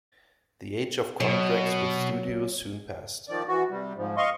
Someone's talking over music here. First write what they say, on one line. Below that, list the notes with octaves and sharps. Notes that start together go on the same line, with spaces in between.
The age of contracts with studios soon passed.
B2 F#3
D#3 F3 D5
E3 F#4
C3 G3
G#2 F3
D#5 F5 C6 C#6